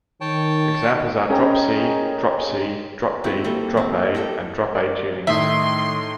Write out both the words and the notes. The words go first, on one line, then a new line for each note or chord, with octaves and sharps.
Examples are Drop C, Drop C, Drop B, Drop A, and Drop A tunings.
D#3 C#5 G5 A5
C#4 G#4 A#4 D#5 G5 A#5
C4 E4 F#4 G4
G3 A#3 G4 A4
C4
E4 G4 A4 A#4
A#4 D5
A2 D#3 D#4 E5 C6 D#6